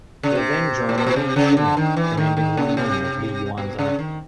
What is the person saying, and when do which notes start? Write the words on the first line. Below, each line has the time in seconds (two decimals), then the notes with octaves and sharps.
They then joined Li Shimin, commanding one wing of Li Yuan's army.
0.23 C#3
0.35 C3
0.89 A2
0.98 A#2
1.06 B2
1.16 C3
1.36 C#3
1.57 D3
1.77 D#3
1.96 E3
2.17 D#3
2.37 D#3
2.57 C#3
2.77 C3
3.57 B2
3.79 C#3
3.99 D#3